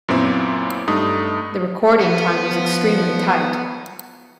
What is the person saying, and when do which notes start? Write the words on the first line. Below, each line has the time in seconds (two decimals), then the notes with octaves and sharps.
The recording time was extremely tight.
0.08 F#2 A#2 B3 C4 E4
0.88 G2 A3 D#4 D#6
2.01 F3 B3